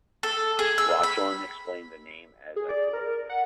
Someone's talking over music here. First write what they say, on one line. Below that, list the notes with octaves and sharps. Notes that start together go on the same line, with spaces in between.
Rochlen explained the name as I thought of it.
A4
G#4
E6
B5
G#4
D5
A#4
F#5